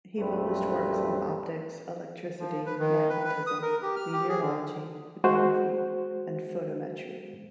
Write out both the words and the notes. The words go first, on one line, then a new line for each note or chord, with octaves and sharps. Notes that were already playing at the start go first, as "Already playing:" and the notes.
He published works on optics, electricity, magnetism, meteorology, photography and photometry.
A#1 F#2 G3 A3 C4 B4
F3
B4
D#3
B4
B4
D#6
A#4
G4
F6
G4
G#4
D3
G#3 F#4 C5